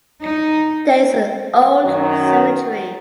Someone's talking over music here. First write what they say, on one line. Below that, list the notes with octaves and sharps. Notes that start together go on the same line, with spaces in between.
There is an old cemetery.
D#4
F#2 D#3 F#3